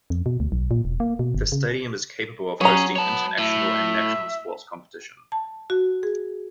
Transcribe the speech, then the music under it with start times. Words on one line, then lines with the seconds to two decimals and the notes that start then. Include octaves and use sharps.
The stadium is capable of hosting international and national sports competition.
0.10 F2
0.26 B2
0.40 D2
0.52 B1
0.71 A#2
0.85 E1
1.00 A#3
1.19 B2
1.35 G1
1.52 C#3
2.61 F#3 C#4 G#4 A#5
2.96 B3 C#5 A5
3.38 A2 E5
5.32 A5
5.70 F#4
6.03 G#4